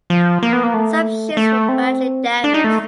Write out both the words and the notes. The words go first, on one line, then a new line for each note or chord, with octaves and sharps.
Some ships were badly damaged.
F3
A#3
B3
A#3
A3
A3
C4
D4
D#4
A3